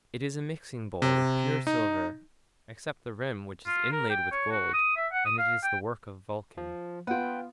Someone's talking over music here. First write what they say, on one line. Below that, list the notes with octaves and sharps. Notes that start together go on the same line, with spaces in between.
It is a mixing bowl of pure silver, except the rim, which is inlaid with gold, and it is the work of Vulcan.
C3
D#4
F4
A#4
G5
C#5
F#4
D#6
E5
F#5
D#6
F5
G5
F3
B3 F4 B4 F#5 G5